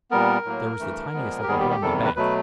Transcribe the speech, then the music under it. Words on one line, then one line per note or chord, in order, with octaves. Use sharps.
There was the tiniest little hole in the bank.
A#2 G3 B3 A#4
A2 F#3 A#3
G2 E3 A3
A#2 F3 G#3 B3
G4
D#2 D#3 G3 B3 G#4
G4
G4
E2 C3 D#3 G3 A4
B4
B2 F#3 A3 B4